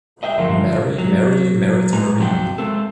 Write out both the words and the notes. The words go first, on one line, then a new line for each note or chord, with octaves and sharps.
Mary merrily married Marie.
D#5 E5 G5
D3 F3 A3 F4 A#4
F#3
A2 G#3 B4 A#5
C3 F3 F#3 C4 F#5 G5
G#3 A3 C4 A4